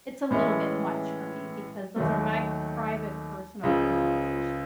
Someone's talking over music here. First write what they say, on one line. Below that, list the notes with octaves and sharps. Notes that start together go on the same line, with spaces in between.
it's a little bit much for me because those are my private, personal conversations.
A2 E3 G#3 C#4 E4
D#2 D#3 F#3 A3
C#2 C#3 F3